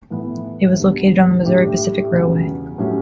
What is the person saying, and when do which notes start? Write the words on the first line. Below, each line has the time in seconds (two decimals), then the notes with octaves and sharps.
It was located on the Missouri Pacific Railway.
0.10 A2 E3 B3
0.78 D2 D3 G3 B3
1.45 A2 G3 D4 G4
2.11 E2 C#3 F#3
2.78 A2 F#3 C#4 G4